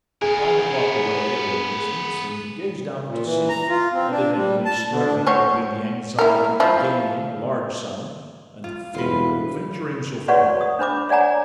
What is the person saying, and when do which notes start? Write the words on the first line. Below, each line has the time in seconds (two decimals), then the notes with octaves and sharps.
The pilot walked away a little distance, and gazed out to sea, evidently struggling between the anxiety to gain a large sum and the fear of venturing so far.
0.22 B3 G#4 A#4
3.08 A#2
3.24 E3
3.49 A#5
3.69 F4
3.93 C4
4.11 D4
4.36 G3
4.65 A5
4.91 D3
5.05 D4
5.27 F#3 C5 C#5
6.19 E4 A#4
6.60 F3 E4
8.64 F4
8.95 E1 F4 B4
10.28 F#4 B4 C#5 D5 F#5 C#6
10.61 D#6
10.79 D4 C5 B5 D6
11.09 C#5 D5 F#5 G#5 A#5